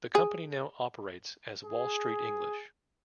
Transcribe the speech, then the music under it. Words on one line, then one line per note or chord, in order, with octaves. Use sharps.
The company now operates as Wall Street English.
G#4
G#4